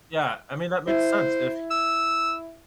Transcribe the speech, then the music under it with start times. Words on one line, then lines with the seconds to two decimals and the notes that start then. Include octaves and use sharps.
Yeah, I mean, that makes sense, if
0.87 E4 C5
1.71 E6